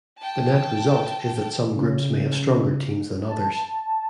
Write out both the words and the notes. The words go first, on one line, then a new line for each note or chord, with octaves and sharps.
The net result is that some groups may have stronger teams than others.
G5 A5
C#3
A5